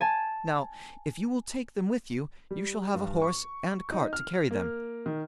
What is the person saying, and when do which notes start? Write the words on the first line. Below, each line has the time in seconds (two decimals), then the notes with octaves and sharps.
Now, if you will take them with you, you shall have a horse and cart to carry them.
0.01 G#5 A5
2.51 G3
2.95 G2
3.22 C#6
3.92 D#4
4.13 F6
4.51 A#3
5.06 D#3